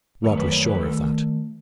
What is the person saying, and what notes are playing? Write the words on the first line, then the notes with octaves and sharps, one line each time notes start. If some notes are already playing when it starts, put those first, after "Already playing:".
Rod was sure of that.
F#2 D#3 A3 C#5
B4
C#5
B4
D#3 A3 A4